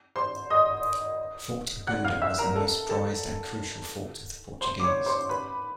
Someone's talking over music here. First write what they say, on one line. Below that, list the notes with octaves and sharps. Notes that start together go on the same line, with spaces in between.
Fort Aguada was the most prized and crucial fort of Portuguese.
C5 C6
D#5 D#6
F#5 F#6
F5 F6
E5 E6
A#4 A#5
A4 A5
A4 A5
C5 C6
D6
C#5 C#6
C5 C6
B4 B5